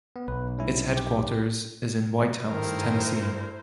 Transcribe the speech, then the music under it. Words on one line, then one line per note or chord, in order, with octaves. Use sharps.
Its headquarters is in White House, Tennessee.
B3
B1 B4
G3 C#4 E4
G4
G2 D#3 A3 E4 A#4 C5